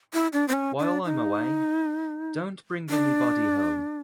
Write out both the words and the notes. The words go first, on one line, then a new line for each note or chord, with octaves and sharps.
While I’m away, don’t bring anybody home.
E4
D4
C4
C#4
D4
D#4
D4